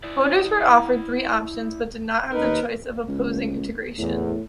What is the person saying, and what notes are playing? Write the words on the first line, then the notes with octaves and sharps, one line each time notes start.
Voters were offered three options, but did not have the choice of opposing integration.
E4 D5
D#2 D#4 A#4 B4
C#2
E2 A2